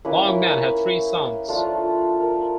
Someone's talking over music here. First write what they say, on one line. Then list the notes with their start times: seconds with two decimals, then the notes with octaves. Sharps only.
Longman had three sons.
0.05 A#3 C#4 E4 B4
1.48 F3 A3 D4 F4
2.20 A#4